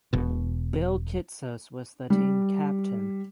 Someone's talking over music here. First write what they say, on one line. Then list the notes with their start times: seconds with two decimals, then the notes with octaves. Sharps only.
Bill Kitsos was the team captain.
0.13 E1 B2
2.10 G3